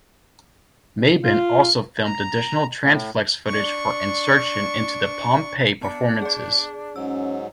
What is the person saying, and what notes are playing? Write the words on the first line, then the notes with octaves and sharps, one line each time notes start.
Maben also filmed additional transflex footage for insertion into the Pompeii performances.
F4
A#5
A2
D4 C#6
B3 D4 A5 C#7
G#4 D5
G#2 F#3 C#4 E6